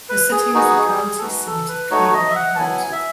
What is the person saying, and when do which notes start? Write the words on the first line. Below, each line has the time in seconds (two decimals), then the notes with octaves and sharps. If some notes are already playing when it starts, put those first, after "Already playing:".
The city is the county seat of Cleburne County.
0.09 B4
0.31 G#4
0.54 B3 D#4 F#4 G#4
0.88 G#4
1.18 A4
1.22 G#3 D#4 F#4 B4
1.46 A4
1.68 B4
1.91 A3 D#4 F#4 C#5
2.13 D#5
2.30 E5
2.36 F#5
2.55 A5
2.59 F#3 B3 E4 G#5
2.92 E5